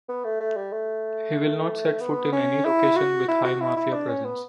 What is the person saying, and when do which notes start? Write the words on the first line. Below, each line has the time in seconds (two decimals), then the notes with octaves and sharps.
He will not set foot in any location with high Mafia presence.
0.09 B3
0.24 A3
0.40 A3
0.56 G3
0.72 A3
2.00 B3
2.32 C#4
2.65 E4
2.96 F#4
3.28 E4
3.45 F#4
3.60 E4
3.77 E4
3.92 D4
4.09 C#4
4.25 B3